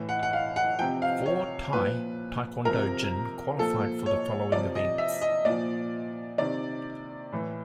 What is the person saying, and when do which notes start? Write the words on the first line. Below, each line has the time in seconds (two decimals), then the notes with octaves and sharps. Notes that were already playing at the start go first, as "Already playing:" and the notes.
Four Thai taekwondo jin qualified for the following events.
Already playing: A2 E3
0.09 F#5
0.23 F#5
0.33 F5
0.56 F#5
0.79 C3 F3 G5
1.02 F5
1.26 C#5
1.72 A#2 F3 B4
2.65 C3 F3 A#4
3.58 A#2 F3 A4
4.06 C#5
4.52 C3 F3 D5
4.75 D#5
4.98 E5
5.22 D#5
5.45 A#2 F3 D5
6.38 C3 D#3 D5
7.32 A2 E3